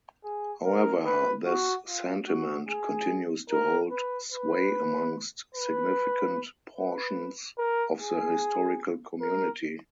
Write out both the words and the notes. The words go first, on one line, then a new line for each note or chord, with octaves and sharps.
However, this sentiment continues to hold sway amongst significant portions of the historical community.
G#4
A#4
B4
F#4
F4
F#4
G#4
A#4
B4
B4
B4
B4
A#4
G#4
A#4